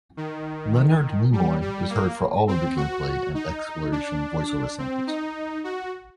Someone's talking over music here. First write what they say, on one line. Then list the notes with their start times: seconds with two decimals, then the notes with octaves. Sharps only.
Leonard Nimoy is heard for all of the gameplay and exploration voice-over samples.
0.17 D#3
1.32 G3
1.62 G3
1.90 A#3
2.48 C4
2.76 F#4
3.34 D#4
3.92 D4
4.78 C4
5.07 D#4
5.64 F#4